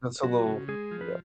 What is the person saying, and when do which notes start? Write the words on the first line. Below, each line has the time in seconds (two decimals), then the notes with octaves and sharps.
That's a little yeah.
0.23 F#3 F#4
0.46 C#3
0.68 G#3 G#4
0.91 F3
1.01 B4